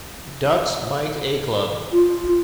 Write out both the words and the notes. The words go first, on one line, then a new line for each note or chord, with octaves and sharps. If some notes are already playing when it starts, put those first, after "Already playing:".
Ducks Mite A club.
F4